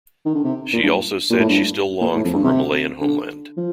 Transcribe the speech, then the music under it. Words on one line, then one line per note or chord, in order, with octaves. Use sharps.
She also said she still longed for her Malayan homeland.
D#3
D3
C3
A#2
G2
A#2
A2
G2
A#2
A2
F2
G2
C3
D3
F3